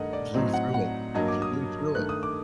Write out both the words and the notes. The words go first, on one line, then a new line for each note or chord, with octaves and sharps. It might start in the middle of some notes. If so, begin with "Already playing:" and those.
Blew through it. She blew through it.
Already playing: G2 D#3 A3 D#4 D#5 F#5
D5
A2 F#3 C4 D#4
F#5
F#5
G2 F#3 A#3 D#5
D6
D#6
G2 D#3 A3 F#6
D#6
D6